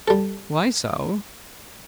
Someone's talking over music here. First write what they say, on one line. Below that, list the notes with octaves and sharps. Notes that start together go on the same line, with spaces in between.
"Why so?"
G3 A4